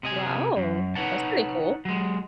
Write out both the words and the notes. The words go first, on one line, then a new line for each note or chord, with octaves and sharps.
Wow, that's pretty cool.
C3 D#5 G#5
F#2
D#4 B4 C#5 F#5 A5
F#3 G#3